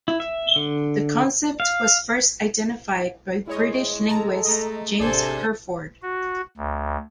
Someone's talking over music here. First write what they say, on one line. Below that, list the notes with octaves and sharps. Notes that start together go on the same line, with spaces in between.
The concept was first identified by British linguist James Hurford.
E4
E5
D3
F5
G#3 E4 C#5 D#5
A4 A5 A#5
A3 D#5 A#5
A1 C3 D4 G#4 A4 C5 D5 G#5
F#4
D2